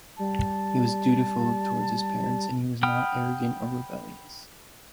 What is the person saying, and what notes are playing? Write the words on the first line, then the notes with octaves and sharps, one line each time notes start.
He was dutiful towards his parents and he was not arrogant or rebellious.
G3 A5
F#5 G5 B5 D#6 F6